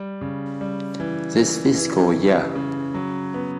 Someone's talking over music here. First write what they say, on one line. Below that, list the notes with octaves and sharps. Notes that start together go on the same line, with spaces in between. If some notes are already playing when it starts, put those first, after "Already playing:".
This fiscal year.
Already playing: G3
C#3
G3
E3
E3
E3
C#3
C#3
F#3
B3